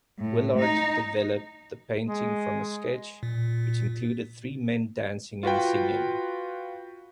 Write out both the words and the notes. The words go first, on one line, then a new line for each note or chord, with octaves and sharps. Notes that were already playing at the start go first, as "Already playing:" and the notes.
Willard developed the painting from a sketch, which included three men dancing and singing.
A2
D#4
G#3
A#2
F4 F#4 B4 G5